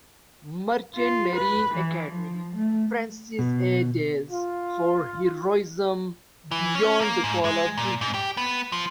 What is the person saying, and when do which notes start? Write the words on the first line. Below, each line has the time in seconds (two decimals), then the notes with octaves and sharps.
Merchant Marine Academy, Francis A. Dales for "Heroism beyond the call of duty".
0.95 F4
1.35 B4
1.75 E3
2.10 F3
2.56 A3
3.39 B2
4.30 F4
6.51 E3
6.75 C#4
7.01 A#3
7.24 G#2
7.45 G#3
7.77 A#2
8.01 G#2
8.14 G4
8.37 B3
8.72 F3